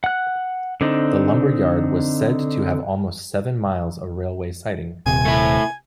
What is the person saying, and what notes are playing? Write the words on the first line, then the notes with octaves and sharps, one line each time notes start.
The lumber yard was said to have almost seven miles of railway siding.
F#5 F#6
D3 C4 D4 D#4
D#1 C3 G#5
A3 E4